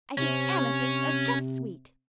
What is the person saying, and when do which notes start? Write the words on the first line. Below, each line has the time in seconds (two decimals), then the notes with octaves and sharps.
I think amethysts are just sweet.
0.18 C3 C#4